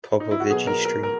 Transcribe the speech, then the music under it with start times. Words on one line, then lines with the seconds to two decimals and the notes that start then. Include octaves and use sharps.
Popovici Street.
0.20 D#4
0.31 E4
0.40 F#4
0.50 B2 F#3 B3 G#4
0.67 A#4
0.85 A#4
1.03 A#4